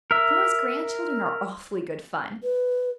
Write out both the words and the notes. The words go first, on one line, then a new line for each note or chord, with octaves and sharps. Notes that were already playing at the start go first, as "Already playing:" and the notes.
Nora's grandchildren are awfully good fun.
A#4 E5
B4